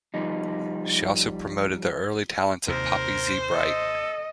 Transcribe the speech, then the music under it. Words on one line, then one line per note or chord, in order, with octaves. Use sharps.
She also promoted the early talents of Poppy Z. Brite.
F3 G3 D#4
D#2 C3 A#4 C5
A4 D#5